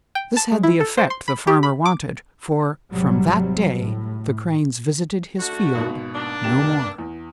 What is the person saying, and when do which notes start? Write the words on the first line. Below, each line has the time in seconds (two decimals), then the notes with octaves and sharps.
This had the effect the Farmer wanted, for from that day the Cranes visited his field no more.
0.15 G5
0.37 A5
0.52 G#3
0.63 E4
0.80 A4
0.97 C5
1.10 C6
1.28 B5
1.47 G4
1.63 B5
1.86 D6
2.92 G#1 C3 F#3 G3
3.77 A2
5.39 D3 A3 F#4
5.75 G#1 B2
6.14 A#3 D4
6.44 F1 G4 E7
6.98 E2